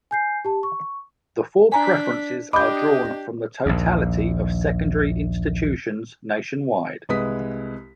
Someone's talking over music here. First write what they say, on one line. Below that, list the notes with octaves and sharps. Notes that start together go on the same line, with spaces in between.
The four preferences are drawn from the totality of secondary institutions nationwide.
G#5 G6 C7
G4 A5
C#6
D4 G#5 A#5 B6
D4 G4 D#5 B5 D6 G6
A#1 D#2
C2 G#3 B4 D#6 B6